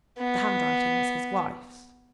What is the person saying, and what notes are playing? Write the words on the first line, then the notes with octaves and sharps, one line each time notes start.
The handwriting was his wife's.
B3